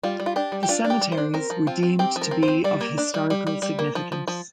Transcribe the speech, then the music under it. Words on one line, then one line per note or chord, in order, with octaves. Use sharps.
The cemeteries were deemed to be of historical significance.
G3 F4
G3
F4
D4 G4
G3
G4
D4 F4
D4
G4
G3
C5
D4
C4 A#4
F3
C4 F4
C4
C4 G4
F3
A#4
C4
C5
C4
G3 D5
A#3
D4
G3
G3
G3
G3
A#3
F3
F3
F3